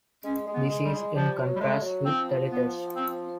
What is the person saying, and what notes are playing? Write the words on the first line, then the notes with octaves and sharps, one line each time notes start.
This is in contrast with teletext.
G#3 C#4
G#3
B3
G#3
G3
G#3
F3 G3
F#3
G3
G#3 A3
F#3
F3 C4
B3
C4